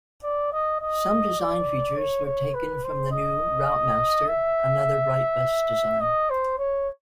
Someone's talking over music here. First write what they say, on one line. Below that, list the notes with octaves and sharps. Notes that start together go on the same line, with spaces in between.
Some design features were taken from the New Routemaster, another Wrightbus design.
D5
D#5
D#5
D5
C#5
C#5
B4
C5
D#5
E5
D#5
C5
C#5